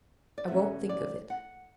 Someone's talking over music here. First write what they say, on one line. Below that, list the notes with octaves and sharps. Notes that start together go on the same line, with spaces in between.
I won't think of it ...
D5
E2 B2 A3 C#4 E5
D5
F#5